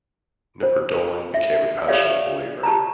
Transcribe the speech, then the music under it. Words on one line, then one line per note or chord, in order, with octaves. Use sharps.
Knipperdolling became a passionate believer.
C5
E5
G4 A4 C#5 D5 E5 F5
G4 A5 A#5